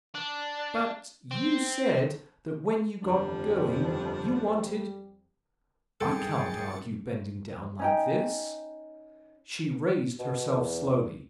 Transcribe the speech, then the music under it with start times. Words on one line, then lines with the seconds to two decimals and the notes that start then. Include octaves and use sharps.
"But you said that when you got going, you wanted---- I can't argue bending down like this." She raised herself slowly.
0.15 D4
1.31 C4
3.03 G1 F2 F3 G3 D4
6.01 F#2 D#3 G3 G#4 A4 G5 A6 C#7
7.79 C#4 D#4 G5
10.19 B2
10.52 E2